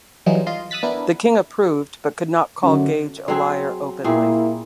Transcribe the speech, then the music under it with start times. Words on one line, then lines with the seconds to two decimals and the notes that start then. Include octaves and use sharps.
The king approved, but could not call Gage a liar openly.
0.26 E3 F#3 G3 D#4 F4 G#4
0.47 F4 D#5 C6
0.71 D#6 E6 F#6 A6 B6
0.83 B3 D4 E4 A#4 B4
2.63 F#2 D3
3.28 F#3 C4 G#4
4.04 A#2 A#3 C4 E4 G#4